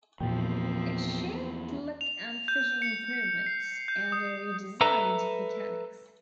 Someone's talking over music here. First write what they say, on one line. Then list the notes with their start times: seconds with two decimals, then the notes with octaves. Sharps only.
It showed look and finishing improvements, and a redesigned mechanics.
0.20 E2 A#2 F3 A#3 C4 G5
2.01 F7
2.48 G6
2.82 C#7
3.46 C7
3.88 G6
4.12 D#6
4.81 A4 B4 E5 A#5